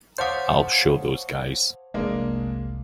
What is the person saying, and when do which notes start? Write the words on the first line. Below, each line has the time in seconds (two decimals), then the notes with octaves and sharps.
I'll show those guys.
0.18 C5 C#5 F5 F#5 A5 D6 D#6 G6
1.94 F1 C2 G#3 A#3 D4